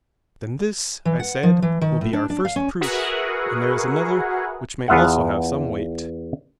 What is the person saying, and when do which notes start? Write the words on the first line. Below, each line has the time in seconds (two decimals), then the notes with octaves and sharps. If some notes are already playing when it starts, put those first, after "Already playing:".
Then this, I said, will be our first proof; and there is another, which may also have some weight.
1.05 E3
1.20 F#5
1.43 F3
1.62 E3
1.81 D#3
2.01 A2
2.13 D4
2.30 D4
2.45 F5
2.56 C#4
2.81 F#4 G#4 A#4 B4 E5 F#5
4.88 E2 B3 F4 E5 F#5